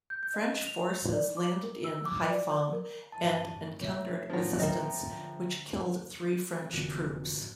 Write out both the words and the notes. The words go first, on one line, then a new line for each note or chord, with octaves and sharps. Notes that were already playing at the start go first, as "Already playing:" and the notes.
French forces landed in Haiphong and encountered resistance which killed three French troops.
G6
G6
D#5
F7
D5
D6
A#4
E6
D6
D5
D5
A#4
G2 A#2 E3 A5
B1 A3 C#5 E5
A2 F3 F#3 B3 D4
A#4 D#5 E5 G5 A#5
A#1 D3
F1 A#2 D3 E3 B3 C#4 F#4